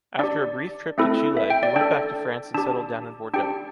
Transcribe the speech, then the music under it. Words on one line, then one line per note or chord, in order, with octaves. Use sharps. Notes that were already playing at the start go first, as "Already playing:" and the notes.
After a brief trip to Chile he went back to France and settled down in Bordeaux.
D4 G4 D5
A3 C4 E4 A4
E5
G5
D5
D4 A4 G5
D4 G4 A5
D4 G4 G5